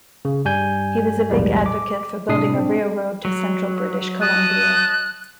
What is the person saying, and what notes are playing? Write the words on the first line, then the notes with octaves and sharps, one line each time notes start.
He was a big advocate for building a railroad to central British Columbia.
C#3
G2 G3 G#5 G6
B1 E2 A2 G3 G#3
D6
A2 C3 D4 D#6 C7
C4 D4
F#3
D#5 A5 D#6 F#6